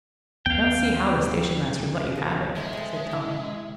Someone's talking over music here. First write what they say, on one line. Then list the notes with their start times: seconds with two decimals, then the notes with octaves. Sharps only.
"I don't see how the station-master let you have it," said Tommy.
0.46 D#2 B3 F5 G5
2.16 F3 A4
2.55 G#3 E5
2.73 C4 A4
3.11 G#2 C3 E4